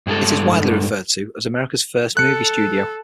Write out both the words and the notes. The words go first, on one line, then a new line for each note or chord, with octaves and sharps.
It is widely referred to as America's First Movie Studio.
G2 G#3 A4 A5
A4 F#6 C#7